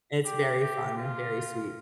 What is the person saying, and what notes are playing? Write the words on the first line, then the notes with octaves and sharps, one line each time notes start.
It's very fun and very sweet.
G4
G4
F4